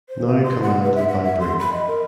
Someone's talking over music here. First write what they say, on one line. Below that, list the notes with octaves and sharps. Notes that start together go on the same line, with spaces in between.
Now commanded by Brig.
C5
F5
C6
F#5
B4
E5
F#5
E5
C6
B5
D#5
A#4